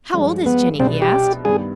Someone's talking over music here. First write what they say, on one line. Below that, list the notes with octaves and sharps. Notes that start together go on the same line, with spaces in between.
"How old is Jinny?" he asked.
G2 F3 G#3
B3
C2 B2 B3 C4 D4 G#4
G4
G2 D#3 G3 B3 G#4